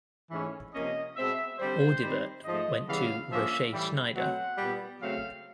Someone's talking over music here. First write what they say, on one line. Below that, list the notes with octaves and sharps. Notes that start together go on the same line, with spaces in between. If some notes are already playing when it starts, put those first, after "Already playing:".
Audibert went to Rochet-Schneider.
G#2 E3 A3 C#4
C3 F3 A#3 C#4 D#5
B2 G#3 C4 E5
D3 G3 C4 C5
D#3 G3 C4
G#2 F3 A3 D#5
C#3 E3 G3 B3 F5
D3 F3 A#3 C#4 E5
A2 E3 G3
B2 F#3 A3 C4 F#5
A#2 G3 B3
C#3 F#3 A3 C4 F5